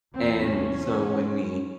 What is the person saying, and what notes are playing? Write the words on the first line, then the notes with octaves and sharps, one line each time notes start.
And so, when we
E2 C3 C4
C#4